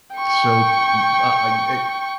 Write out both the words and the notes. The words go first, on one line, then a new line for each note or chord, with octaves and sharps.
So n I e eh
G5 C#6